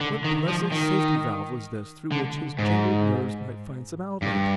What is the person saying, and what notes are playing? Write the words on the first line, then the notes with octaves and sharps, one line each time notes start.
What blessed safety-valve was this through which his jangled nerves might find some outlet.
D3
D#3
F3
D#3
D3
G#2
G2